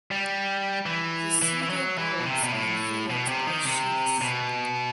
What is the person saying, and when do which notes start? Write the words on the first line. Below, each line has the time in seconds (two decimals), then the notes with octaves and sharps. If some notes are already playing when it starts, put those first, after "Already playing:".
The pseudobulbs are enveloped by sheaths.
0.11 G3
0.86 E3
1.42 E3
1.62 E3
1.70 F#3
1.98 E3
2.19 B2
2.26 C3
2.44 B2
2.54 A2
3.10 B2
3.28 C3
3.47 D#3
3.65 C3
4.21 B2